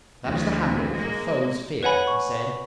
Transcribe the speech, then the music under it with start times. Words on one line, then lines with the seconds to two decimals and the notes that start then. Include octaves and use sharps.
"That is the handle for 'Foes'-fear,'" he said.
0.24 D2 E3
0.91 G#3 A#3
1.83 B4 C#5 F#5 G#5 B5
2.07 C#6